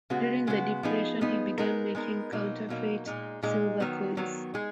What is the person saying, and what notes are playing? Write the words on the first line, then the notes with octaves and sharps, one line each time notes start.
During the Depression he began making counterfeit silver coins.
C#3 G#3 B3 F#4
C#3 G#3 B3 F#4
F3 B3 D#4 G#4
F3 B3 D#4 G#4
G#3 B3 D#4 A#4
G#3 B3 D#4 A#4
B2 F#3 A#3 D#4
B2 F#3 A#3 D#4
A#2 G#3 D#4
A#2 G#3 D#4
D#3 F#3 B3
D#3 F#3 B3
G#3 D#4 G#4